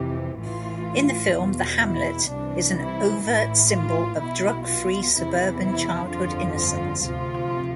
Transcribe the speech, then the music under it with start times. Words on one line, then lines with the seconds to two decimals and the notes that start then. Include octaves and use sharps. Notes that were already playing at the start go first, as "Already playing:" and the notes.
In the film, the hamlet is an overt symbol of drug-free suburban childhood innocence.
Already playing: F2 C3 E3 G4
0.39 A1 A2 E3 F4
1.34 E2 B2
1.82 E4
2.29 C2 C3 E3 D4
2.77 E4
3.24 A1 A2 E3 E4
3.72 F4
4.20 B1 B2 E4
4.66 F4
5.15 E2 C3 E3 E4
5.63 E4
6.10 G1 F2 D3 F3 F4
6.57 F4
7.04 D2 C3 F3 F4